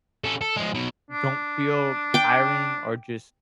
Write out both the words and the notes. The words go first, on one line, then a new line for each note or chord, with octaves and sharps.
don't feel tiring are just
C#4 A4
A4
F3 G#3
B2 F#3
D4
G5 D6